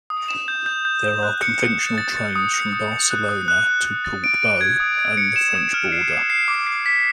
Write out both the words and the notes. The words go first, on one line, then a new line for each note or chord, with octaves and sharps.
There are conventional trains from Barcelona to Portbou and the French border.
D#6
E7
G6
G6
G6
E7
F#6
C#7
C#7
A6
A6
A6
D#6
C#7
D#6
C#7
F#6
D#6
F#6
F#6
F#6
A6
D7
D7
G#6
D#6
G#6
C#7
E7
D#6
F6
C7
C7
C7
D6
C7
B6